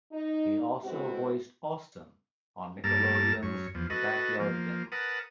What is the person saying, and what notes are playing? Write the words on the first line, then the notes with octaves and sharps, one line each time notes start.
He also voiced Austin on Nickelodeon's "The Backyardigans".
D#4
G#3 B3 C4 E4 F#4 A4
G2 A#3 A4 A5 A#5
F#2 C#5
E2 F3
F#4 A4 B4 D#5
F3 A#3
A#4 B4 F#5 A5 D#6